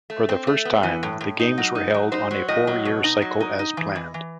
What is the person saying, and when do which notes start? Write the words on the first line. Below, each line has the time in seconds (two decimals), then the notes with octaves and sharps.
For the first time the Games were held on a four-year cycle as planned.
0.10 A3
0.29 C4
0.47 A3
0.65 B3
0.83 E3
1.03 A2
1.21 A2
1.39 D#4
1.58 F#3
1.75 D#4
1.94 F#3
2.12 D#4 C5
2.31 F#3
2.48 A2 D#5
2.67 F#3
2.85 B2
3.04 D#4
3.22 F#3
3.40 D#4
3.59 D#4
3.77 E3
3.95 E3
4.14 E3